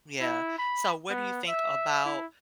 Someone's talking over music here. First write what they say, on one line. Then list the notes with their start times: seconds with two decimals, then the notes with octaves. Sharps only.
Yeah. So, what do you think about,
0.20 E4
0.58 B5
1.10 B3
1.48 E5
2.05 E4